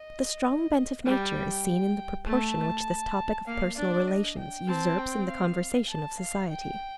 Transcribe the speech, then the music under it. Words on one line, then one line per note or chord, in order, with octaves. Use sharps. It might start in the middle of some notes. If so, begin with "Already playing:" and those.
The strong bent of nature is seen in the proportion which this topic of personal relations usurps in the conversation of society.
Already playing: D#5
G3 G5
A3 A5
A#3 F5
D4 D5
D#5
G5
C4 A5
G5
F5
A5
F5
G5